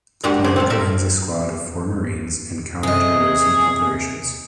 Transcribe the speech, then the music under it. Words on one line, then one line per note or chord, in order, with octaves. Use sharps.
The player commands a squad of four marines in counter-terrorism operations.
G#3 A#3 D4 F#4 G4
C#3 G#4 C5
C4 A4 F5
A3 A4 A#4 E5
C3 G#4 D#5